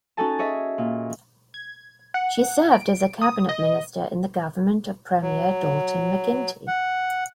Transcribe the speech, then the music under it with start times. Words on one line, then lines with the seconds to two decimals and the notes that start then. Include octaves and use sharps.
She served as a cabinet minister in the government of Premier Dalton McGuinty.
0.17 C#4 D#4 F#4 A4 G#5 A5
0.39 G#4 C#5 D#5 E5
0.78 A#2
1.54 G#6
2.14 F#5
2.72 D7
3.22 D#6
3.49 D#5
5.22 F#3
6.68 F#5